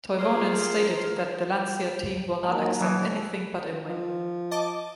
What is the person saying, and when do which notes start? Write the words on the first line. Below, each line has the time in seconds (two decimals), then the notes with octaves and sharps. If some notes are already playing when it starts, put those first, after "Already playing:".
Toivonen stated that the Lancia team will not accept anything but a win.
0.19 F3 A3 G#4 A#4 C5
2.43 G#2 F#3 A#3 D#4
2.81 B2 E3 F#3 A#3 A5
2.92 A#2 D3
3.89 F3
4.51 D#5 A5 D6